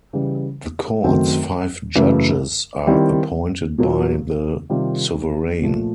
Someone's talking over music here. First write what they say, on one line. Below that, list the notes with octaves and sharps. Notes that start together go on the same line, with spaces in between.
The Court's five judges are appointed by the Sovereign.
C#3 E3 G3
F#2 D#3 F#3 A3 C4
F#2 C#3 E3 A3
D#3 G3 C4 E4
A#2 F#3 A#3
C3 D#3 G3 C4 F4
A#2 F3 A3